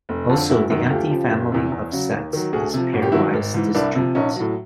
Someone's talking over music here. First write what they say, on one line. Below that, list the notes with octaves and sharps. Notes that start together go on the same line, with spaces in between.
Also the empty family of sets is pairwise disjoint.
F1
F2 D3
F#1 E4 F#4
F#2 D#3 F#3
D2 F4 G4
C#3 F3
F#1
E2 C3
E2
C#3 F#3
D#2
D#3 F#3
D2 F#4 G#4
C3 F3
G1 F#4
G4
G2 D#3 F#3 E4 F#4
G#1
G#2 E3
C2 D4 E4
C3 F3
A#1 C#4 D#4
A2 F#3